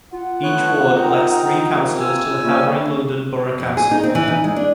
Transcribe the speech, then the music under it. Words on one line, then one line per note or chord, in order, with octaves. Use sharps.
Each ward elects three councillors to Havering London Borough Council.
F4 F#5
A3 B3 C#5 F#6
C4 D#4 A#4
C3 A#3
G#5 E6
C3 G3 A#3 C#4
F2
G#4
D#4
C4
E3
D#4
G#3
D4